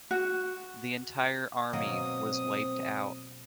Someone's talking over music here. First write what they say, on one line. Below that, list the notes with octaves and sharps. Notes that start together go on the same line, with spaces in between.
The entire army was wiped out.
F#4
B2 F#3 A#3 C4 D#6